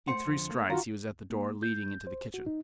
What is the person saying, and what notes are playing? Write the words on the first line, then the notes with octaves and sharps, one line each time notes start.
In three strides he was at the door leading into the kitchen.
A3 C5 F#5 C6 C#7
F2 D3
A3 A#3
D#3 F4 F#4 F5 A#5
A#3
G6
C5
F#4
D#4